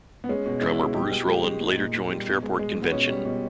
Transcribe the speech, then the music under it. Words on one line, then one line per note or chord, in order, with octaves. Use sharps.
Drummer Bruce Rowland later joined Fairport Convention.
B3
G#3 C#4
B2
G#3 E4
B2
G#3 G4
G#3 G#4
G#3 G4
G#3 G4
A#2 D#4
A#2
A#2
G3
B2
G#3
G#3
G#3
B3
B2 C#4
G3
B2